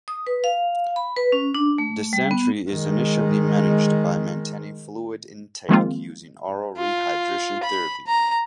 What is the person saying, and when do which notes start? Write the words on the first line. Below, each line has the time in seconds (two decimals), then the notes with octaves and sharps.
Dysentery is initially managed by maintaining fluid intake using oral rehydration therapy.
0.08 D#6
0.27 B4
0.44 F5
0.96 B5
1.16 B4
1.32 C#4
1.55 D4
1.78 A3
2.13 G3
2.31 B3
2.71 D#3 G#3
5.69 D#3 F3 G#3 A#3 C4 F4
6.77 F4
7.63 B5
8.07 A#5